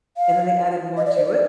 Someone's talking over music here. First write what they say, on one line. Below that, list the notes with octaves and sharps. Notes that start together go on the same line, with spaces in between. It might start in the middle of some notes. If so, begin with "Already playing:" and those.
and then they added more to it.
F5
D#5
D5
C5
D5